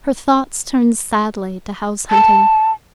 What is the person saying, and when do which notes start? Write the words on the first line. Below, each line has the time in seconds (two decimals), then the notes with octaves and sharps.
Her thoughts turned sadly to house-hunting.
2.11 A5